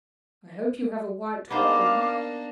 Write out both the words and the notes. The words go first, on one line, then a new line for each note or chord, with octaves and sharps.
I hope you have a white wand.'
A#3 B3 D4 D#4 C5 F5 D6